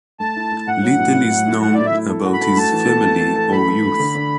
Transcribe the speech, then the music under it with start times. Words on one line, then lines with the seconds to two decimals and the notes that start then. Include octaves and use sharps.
Little is known about his family or youth.
0.20 A3 A5
0.36 E4
0.51 A3
0.67 A2 F#5
0.83 F#3
0.99 A2
1.14 A2
1.31 A2
1.47 E4
1.62 A3 F#5
1.74 E4 D5
1.86 E5
1.94 E4
2.10 A4
2.25 F#4
2.33 B5
2.42 A4
2.57 A3 A5
2.72 E3
2.89 A4
3.04 A3
3.21 A4
3.36 A4
3.52 A4 B5
3.68 A4
3.83 A3
4.00 D3
4.15 D3